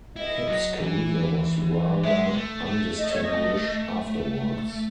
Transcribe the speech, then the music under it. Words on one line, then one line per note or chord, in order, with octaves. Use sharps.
Hipp's career was rather undistinguished afterwards.
E4 D#5
F#3
E3
G#3 E5
A3
A3
D#5
C#5
D#5